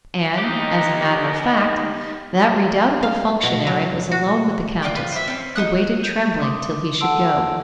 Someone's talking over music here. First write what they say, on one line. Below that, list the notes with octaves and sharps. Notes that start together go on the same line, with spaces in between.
And, as a matter of fact, that redoubtable functionary was alone with the Countess, who waited trembling till he should go.
D#4 G4
F5
B2
F#3
F#4
F4 D5 G5 D6
F4 B4
C5 E5
C4 C#4
D#4 A4 D#6 F#6
G6 D#7
C6 D6 D#6
A4 F#5 A5 C6 E6 D7